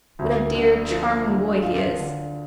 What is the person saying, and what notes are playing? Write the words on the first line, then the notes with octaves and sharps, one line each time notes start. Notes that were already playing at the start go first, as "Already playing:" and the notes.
"What a dear, charming boy he is!"
D2
D3
F3
D3
F4
D3